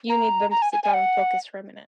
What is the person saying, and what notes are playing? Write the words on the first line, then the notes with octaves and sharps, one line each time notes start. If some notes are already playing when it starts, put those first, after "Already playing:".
you need them to sit down and focus for a minute.
A#5
A#5
G#5
G#5
G#5
F#5